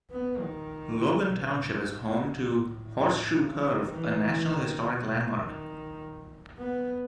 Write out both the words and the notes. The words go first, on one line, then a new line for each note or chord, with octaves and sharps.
Logan Township is home to Horseshoe Curve, a National Historic Landmark.
B3
D#3
C#3
B2
G#2
G#2
A2
C#3
D#3
E3
E3
D#3
B2
D#3
B3